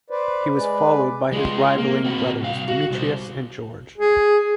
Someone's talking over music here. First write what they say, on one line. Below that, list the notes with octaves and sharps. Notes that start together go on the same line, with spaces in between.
He was followed by his rivaling brothers Demetrius and George.
B4 C5 D5
G#3 B4 D5
G#3 F4
A#3
C4 F#4
C2 F5
F#4
C2 C5
G#4